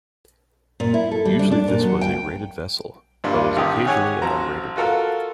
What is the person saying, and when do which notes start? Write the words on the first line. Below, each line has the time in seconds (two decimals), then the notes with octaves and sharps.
Usually this was a rated vessel, but was occasionally an unrated one.
0.80 A#2
0.94 E4
1.11 A4
1.25 G3
1.39 D4
1.52 D4
1.68 A#2
1.82 F#3
2.01 G5
3.24 G2 C3 G3 A#3 D4 F4
3.56 A1 D#3 G4 D#6
3.86 G4 G#4 C#5 F#5 G#5
4.22 A1 F#3 C5 A#5
4.76 F4 F#4 A4 A#4 F5